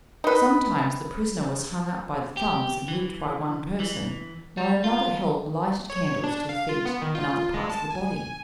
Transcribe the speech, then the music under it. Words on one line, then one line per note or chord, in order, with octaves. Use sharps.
Sometimes the prisoner was hung up by the thumbs, and whipped by one person, while another held lighted candles to the feet and other parts of the body.
D#4 B4
G4
E3
E3
G3
F4
C#5
D4
F5
F4
B3
D#3
F4
G#3
A5
G#5